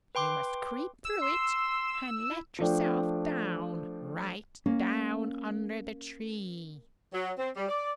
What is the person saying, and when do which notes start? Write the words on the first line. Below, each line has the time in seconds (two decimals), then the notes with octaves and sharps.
You must creep through it and let yourself down, right down under the tree.
0.15 B4 G5 C6 D6
1.05 E6
1.22 C6
2.31 E4
2.59 F3 A3 D4 G5
4.66 A#3 C#4
7.13 F#3
7.38 C4
7.56 G3
7.69 D5